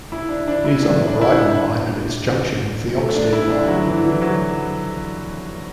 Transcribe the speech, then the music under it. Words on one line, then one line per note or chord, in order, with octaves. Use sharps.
It is on the Brighton Line at its junction with the Oxted Line.
E4
D4
D4
E4
D4
D4
E4
D4
A3
D4
E4
D4
F#3
E3
E3
F#3